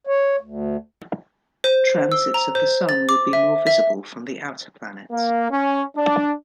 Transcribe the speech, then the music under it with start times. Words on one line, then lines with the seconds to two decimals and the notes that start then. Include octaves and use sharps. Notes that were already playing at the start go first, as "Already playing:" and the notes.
Transits of the Sun would be more visible from the outer planets.
0.07 C#5
0.41 D2
1.64 C5
2.12 E6
2.34 A#5
2.55 C5
2.89 A6
3.09 D6
3.33 E5
3.67 E5
5.12 A#3
5.51 C#4
5.97 D4